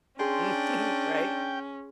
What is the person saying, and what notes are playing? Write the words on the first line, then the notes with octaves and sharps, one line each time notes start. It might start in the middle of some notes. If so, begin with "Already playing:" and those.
Mhm, right?
C#4 D4 G#4 G5 G#5 C6